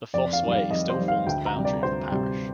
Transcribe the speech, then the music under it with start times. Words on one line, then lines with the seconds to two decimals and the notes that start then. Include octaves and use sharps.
The Fosse Way stills forms the boundary of the parish.
0.14 F2 D5
0.33 F5
0.43 D#3 G3
0.52 F5
0.70 F2 D#5
0.89 C5
0.99 D#3 G3
1.08 F5
1.26 D2 G5
1.46 A#5
1.56 C3 G3
1.65 D5
1.83 D2 C5
2.12 C3 G3